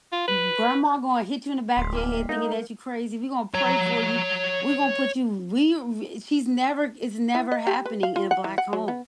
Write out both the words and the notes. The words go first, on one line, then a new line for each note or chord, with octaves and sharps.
M grandma gonna hit you in the back of your head thinking that you crazy. We gonna pray for you. We gonna put you we w she's never it's never happening in a black home.
F4
B4
D1 C6 B6 C7
A#3 D6 F6
G#3 D#4 A#4
C#5 A#5
E4
D#5
G4
B4
F5
F4
F#5
E3
F#5
F#3
B3